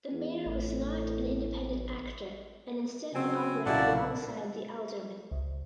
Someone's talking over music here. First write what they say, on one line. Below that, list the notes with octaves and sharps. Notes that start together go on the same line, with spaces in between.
The Mayor was not an independent actor and instead would operate alongside the Alderman.
E2
A1 A2
B1
C#3 F#3 C4 G#5
B1 F#2 A#2 E4 D5 F#5 A5
C#2